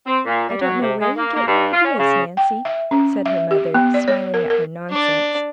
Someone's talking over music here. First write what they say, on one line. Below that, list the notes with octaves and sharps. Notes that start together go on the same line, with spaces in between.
"I don't know where you get your ideas, Nancy," said her mother, smiling at her nonsense.
C4
A#2
G3
F#3
C3
G#3
A#3
A#3
G2
F4
C#4
C#3
G5
E5
C#4
E5
G4
B3
D5
C#5
A#4
A#4
D4 D5